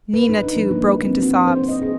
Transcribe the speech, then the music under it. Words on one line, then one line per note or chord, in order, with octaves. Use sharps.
Nina, too, broke into sobs.
B4
D#4
D4
F3
A#3
A#3
C4
F#4
C4
C5
D#5
G#4